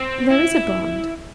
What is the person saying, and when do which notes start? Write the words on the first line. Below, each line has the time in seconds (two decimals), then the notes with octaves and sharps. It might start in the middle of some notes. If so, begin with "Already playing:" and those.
"There is a bond."
Already playing: C4
0.31 E4